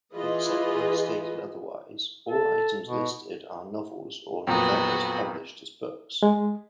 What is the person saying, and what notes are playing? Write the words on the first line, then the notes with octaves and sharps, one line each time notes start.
Except where stated otherwise, all items listed are novels or novellas published as books.
E3 F4 G#4 B4 D#5
A4
B2
F2 A#2 F#3 B3 F#4 G5 A#5 D#6
G#3